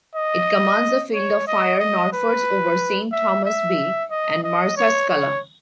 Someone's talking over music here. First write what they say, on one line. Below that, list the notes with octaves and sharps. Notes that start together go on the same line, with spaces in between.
It commands a field of fire northwards over Saint Thomas' Bay and Marsaskala.
D#5
C#5
D#5
D#5
B4
E5
E5
D#5
D#5
C#5
C#5